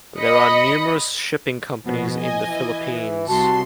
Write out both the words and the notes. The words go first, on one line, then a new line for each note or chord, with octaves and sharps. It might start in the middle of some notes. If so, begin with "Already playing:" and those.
There are numerous shipping companies in the Philippines.
D#5 B5 D#6 A#6 C#7
B2 F3
D#5 G#5
E3
C2 F#4 A5 C6